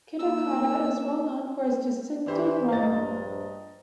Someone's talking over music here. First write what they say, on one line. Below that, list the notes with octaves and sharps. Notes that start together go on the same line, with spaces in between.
Kitakata is well known for its distinctive ramen.
A#3 D#4 E6
E3 D4 G4 C5
A#1 G2 C5 D#5 A#5 A6